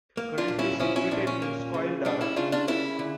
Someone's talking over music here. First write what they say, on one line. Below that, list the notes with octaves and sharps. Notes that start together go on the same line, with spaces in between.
Currently situated in Scoil Dara.
A#3
D4 F4
A#2
C#4 E4
F3 C#4 E4
C#4 E4
A#2 D4
C#4
A#3
C#3
G3 D4
C#4 E4
C#3 D4 F4
D4 F4
A#3 C#4 E4
D3